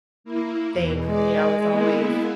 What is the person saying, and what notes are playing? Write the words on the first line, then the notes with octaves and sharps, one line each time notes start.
thing, you know, it's always
A#3 E4
E2 B2
G#3 D5
A#3 B3 E4